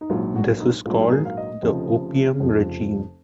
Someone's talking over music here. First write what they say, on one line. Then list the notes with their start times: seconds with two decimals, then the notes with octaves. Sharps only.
This was called the "opium-regime".
0.01 D#4
0.10 A#1 G#2 F#3 F4
0.36 F#4
0.60 D#4
0.86 A#1 G#2 F#3 F4
1.01 A#4
1.12 G#4
1.25 F5
1.37 D#5
1.63 F1 F2 C#3 F3
2.39 F1 F2 C#3 F3